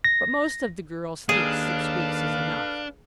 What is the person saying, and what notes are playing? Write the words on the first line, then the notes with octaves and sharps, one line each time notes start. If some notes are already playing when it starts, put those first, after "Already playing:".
"But most of the girls think six weeks is enough."
A#6
D#2 D4 G#4 A4 B4 F5